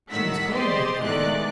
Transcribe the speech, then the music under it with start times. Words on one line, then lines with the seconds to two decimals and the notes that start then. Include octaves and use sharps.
"She is calling me, I think."
0.10 A2 D#3 G3 F#5 E6 B6
0.52 G4 G#4 C5 D5 D#5 C6
1.02 E2 D#3 G#3 A3 D5 F#6